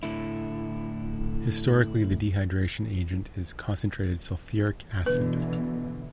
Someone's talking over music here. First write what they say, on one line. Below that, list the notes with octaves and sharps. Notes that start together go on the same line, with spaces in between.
Historically, the dehydration agent is concentrated sulfuric acid.
A2 D3 E4
B2 D3 E3 B4